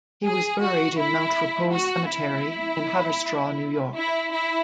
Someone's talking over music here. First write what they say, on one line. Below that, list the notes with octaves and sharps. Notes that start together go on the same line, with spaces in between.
He was buried in Mount Repose Cemetery in Haverstraw, New York.
G#4
F#4
E4
F#4
E4
E4
E4